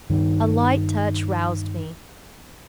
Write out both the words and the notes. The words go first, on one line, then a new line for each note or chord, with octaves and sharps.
A light touch roused me.
G2 D#3